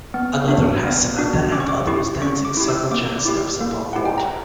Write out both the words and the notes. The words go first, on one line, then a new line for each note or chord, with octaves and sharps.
Another has Samantha and others dancing several giant steps above water.
B3
D4 F#4
B3
D4 F#4
C#4 D6
C#6
D6
E4 G4 C#6
C#4 C#6
D6
E4 G4
E6
A#3 D6
E4 G4 D6
A#3
E4 G4 F#5
G5
A#5